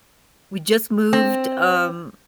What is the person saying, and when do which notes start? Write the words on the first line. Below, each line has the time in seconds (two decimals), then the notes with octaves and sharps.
we just moved, um,
1.13 C4